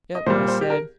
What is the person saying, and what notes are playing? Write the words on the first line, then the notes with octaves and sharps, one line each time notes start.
"Yep," I said.
D#5
A#2 G3 C5
C5
G4
A#4